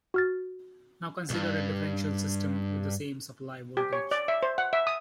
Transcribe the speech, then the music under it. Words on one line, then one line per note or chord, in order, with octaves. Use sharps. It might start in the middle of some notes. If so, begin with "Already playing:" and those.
Now consider a differential system with the same supply voltage.
F#4 F6 A6
B1 G2
G4
C#5
D5
E5
C5
F#5
E5
D#6